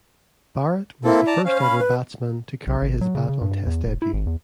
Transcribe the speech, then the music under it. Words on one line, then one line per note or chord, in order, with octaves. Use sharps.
Barrett was the first ever batsman to carry his bat on test debut.
A#3 C4 E4 A4
D5 A5 A#5
C#4 C5 F5
B5
B4
B1
G#1
F#3
C#3
C#3
G2
E2
E1
E4
G#1
E2